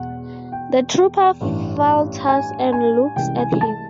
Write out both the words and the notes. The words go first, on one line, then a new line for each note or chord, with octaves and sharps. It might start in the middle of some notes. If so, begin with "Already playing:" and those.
The trooper falters and looks at him.
Already playing: E1 E2 B2 F#5
G5
A1 G2 E3
G#5
G#5
C2 C3 E3 G#3 C#4 G5
G#5
A5